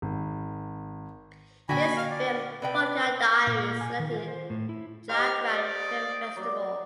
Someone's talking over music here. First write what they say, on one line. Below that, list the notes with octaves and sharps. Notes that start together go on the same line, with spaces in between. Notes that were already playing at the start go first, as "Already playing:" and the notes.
His film Vodka Diaries selected in Jagran Film Festival.
G#1
A#2 D3 F#4 G5 G#5 B5
F5 F6
D5
C3 B4 D5 G5
A#2
G#5
D#3
F4
C5
A2
E4
D#4 G4 C5 F6
D5 D#5
F#3 D5